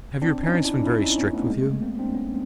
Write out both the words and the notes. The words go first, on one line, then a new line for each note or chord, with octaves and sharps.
"Have your parents been very strict with you?"
C4 D4
C#4 D#4
D4 E4
D4 E4
C#4 D#4
B3 C#4
A3 B3
G#3 A#3
A3 B3
A#3 C4
C4 D4
B3 C#4